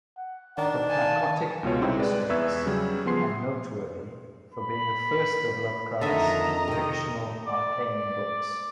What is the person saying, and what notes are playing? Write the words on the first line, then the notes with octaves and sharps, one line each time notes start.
The Pnakotic Manuscripts are noteworthy for being the first of Lovecraft's fictional arcane books.
F#5
D#3 D4 A#5
F5 G#5 A5
C#2 B2 F4 C#5
G3 C4 D#4 E4 A4
G#3 G#4 B4 D5
E2 B4 E5 C#6 E6 G#6
C#3 F#3 G3
F3 B3 G#4 C6 C7
B5
F2 D3 D#3 A4 D#5 E5 A#5
C3 D#3
D5